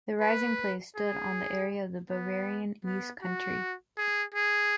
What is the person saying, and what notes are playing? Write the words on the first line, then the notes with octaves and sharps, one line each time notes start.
The rising place stood on the area of the Bavarian east country.
B4
G#4
B3
B3
F#4
G#4
G#4